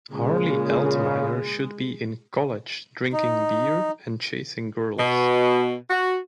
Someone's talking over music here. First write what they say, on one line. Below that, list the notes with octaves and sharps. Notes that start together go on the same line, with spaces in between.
Harley Altmyer should be in college drinking beer and chasing girls.
A#2 C#3 G#3
D#4
B2
F#4